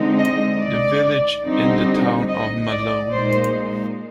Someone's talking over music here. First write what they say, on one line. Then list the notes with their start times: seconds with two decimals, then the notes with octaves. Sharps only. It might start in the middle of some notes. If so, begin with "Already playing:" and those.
The village in the town of Malone.
Already playing: D3 G#3 C4 D#4
0.18 D#5
0.60 D5
1.44 D3 G3 C4 D#4
2.28 D#5
2.70 D5
3.11 A#2 G#3 D#4 C5